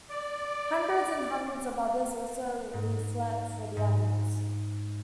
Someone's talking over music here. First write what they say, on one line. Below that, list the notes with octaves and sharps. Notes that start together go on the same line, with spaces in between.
Hundreds and hundreds of others also leaflet for the animals.
D5
G#2
G#2